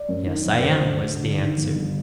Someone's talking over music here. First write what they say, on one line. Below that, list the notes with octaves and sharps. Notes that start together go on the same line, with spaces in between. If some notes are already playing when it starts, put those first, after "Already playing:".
'Yes, I am,' was the answer.
Already playing: D5
F#2
D#3
F#1
A#4
D2 C5
D3
D2
D3
D#3
G1
G1